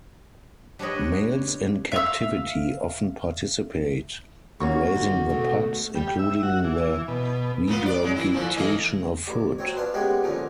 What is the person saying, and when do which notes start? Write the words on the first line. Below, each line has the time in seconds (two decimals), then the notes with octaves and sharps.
Males in captivity often participate in raising the pups, including the regurgitation of food.
0.79 G3 D4 B4 C#5 D#5
1.92 E5 F5 E6
4.60 A#3 C#4 F#4 C#6
4.96 D3 D#4
5.29 B2 D3 G#3 A3
5.95 G3
6.19 E5
6.43 F#4
6.64 E3
7.08 B2
7.68 A#3 B3 F4
7.86 D5
8.01 F#3 G#3
8.16 E3 E4
8.33 A#2 D3 F3
8.55 E3 A3 D#5
9.24 A1 D6
9.58 F#3 C4 C#5
9.76 B3 D4 F4 A5
9.94 G3 G#3 A#3 B3 C#4 G4
10.23 A#1 A#2 D3 F3 C#4